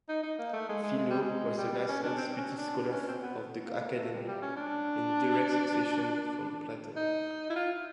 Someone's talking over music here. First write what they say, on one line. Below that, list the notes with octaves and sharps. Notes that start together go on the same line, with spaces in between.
Philo was the last undisputed scholar of the Academy in direct succession from Plato.
D#4
D#4
A#3
A3
G#3
G#3
G#3
G3
G#3
G3
G3
C#4
D4
C4
D4
C#4
D4
D4
C#4
C4
B3
A#3
A3
G3
G3
C#4
D4
D#4
E4
F4